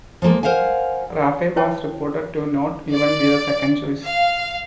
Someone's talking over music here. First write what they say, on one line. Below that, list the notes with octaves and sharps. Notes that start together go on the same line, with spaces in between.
Rafale was reported to not even be the second choice.
F3 G#3 A#3 A4
A#4 C5 F5 F#5 G#5
E4 B4 C#5 G5 A5
D5
F5